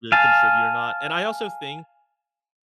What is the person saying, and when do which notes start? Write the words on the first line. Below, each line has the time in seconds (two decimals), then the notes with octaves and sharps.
really contribute or not, and I also think,
0.12 F5 G#5 A5